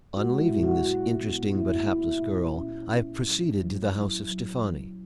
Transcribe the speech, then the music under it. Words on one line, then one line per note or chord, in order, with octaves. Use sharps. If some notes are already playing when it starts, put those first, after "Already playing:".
On leaving this interesting but hapless girl, I proceeded to the house of Steffani.
G#3 F#4
E4
A#2
F#4
A#2 F#4
B3
A#3 E4
E4
A#2
C#4
C#4
F#3
F#3
E4
F#3